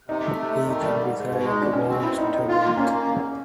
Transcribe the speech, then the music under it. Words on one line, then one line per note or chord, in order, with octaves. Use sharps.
He then decides to leave Stillborough.
C3 D#4
A3
C3
A3
D#3 D#4
G3
G#2
G#2
B2
G#3
D#4
B2 D4
B2 C#4
C4
C4 E4
A2 D#4
A2 D#4
F4
A#3
A#3 C#4
A#3
E2